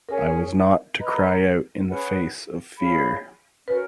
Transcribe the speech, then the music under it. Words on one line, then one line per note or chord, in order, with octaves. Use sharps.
I was not to cry out in the face of fear.
C#4 G#4 A#4 C#5 G#5
B4 D#5 A#5
C#4 G#4 B4 F#5
G#4 C#5 F5 B5
C#4 F#4 A#4 B4